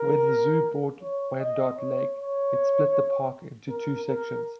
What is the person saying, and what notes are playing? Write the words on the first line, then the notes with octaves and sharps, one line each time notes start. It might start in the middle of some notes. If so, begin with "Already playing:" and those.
When the zoo bought Wyandot Lake, it split the park into two sections.
Already playing: A#4
C#5
D#5
C#5
C#5
A#4
A#4